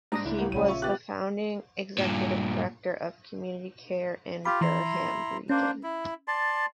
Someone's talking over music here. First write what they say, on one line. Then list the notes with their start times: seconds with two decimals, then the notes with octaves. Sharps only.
He was the founding executive director of community care in Durham Region.
0.12 G#2 G3 D4 A#5 D#6 A#6
0.25 C#2 E4
0.38 A2 A#3 B3
0.52 A#1 C#3 F#3 G3 A3 D#7
0.68 F4 C#5 E5 C#6
0.82 C3 B3 G4 F#6 A6
1.98 G2 A#2
4.45 F4 G4 B5
4.61 E3 E4 A#5 C6
5.49 A#3 C#4 D4 C5
5.83 E4
6.28 D5 A5 C6